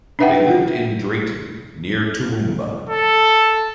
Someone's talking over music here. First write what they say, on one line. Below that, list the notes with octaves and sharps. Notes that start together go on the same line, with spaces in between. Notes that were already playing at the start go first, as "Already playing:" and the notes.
They lived in Drayton near Toowoomba.
D4 D#4 B4 E5 F#5 G5
A4